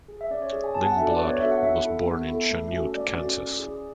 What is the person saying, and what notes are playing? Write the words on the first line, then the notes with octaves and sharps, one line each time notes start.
Lindblad was born in Chanute, Kansas.
G#4
E5
C#4 D5
C#5
G#4
G#5
B3 A5
F#5
D4 F#4 A4 E5
D5
B3 B4
C#5
D4 F#4 A4 E5
F#5
B3 E5
E4 A4
B3
E4 A4
A3
C#4 F#4 A4
A3 D5
C#4 F#4 A4
C#4
E4 G#4